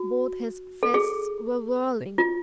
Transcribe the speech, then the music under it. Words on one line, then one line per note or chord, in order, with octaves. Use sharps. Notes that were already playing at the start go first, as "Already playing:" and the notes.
Both his fists were whirling.
Already playing: F#4
A4
G#4
F4